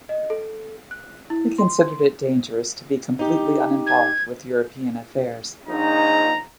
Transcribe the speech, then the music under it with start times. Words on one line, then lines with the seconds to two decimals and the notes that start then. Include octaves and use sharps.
He considered it dangerous to be completely uninvolved with European affairs.
0.09 D#5
0.30 A4
0.91 F#6
1.30 E4
1.58 C6
3.19 D#4 G4
3.87 G#6
5.68 A#1 D#4 A#5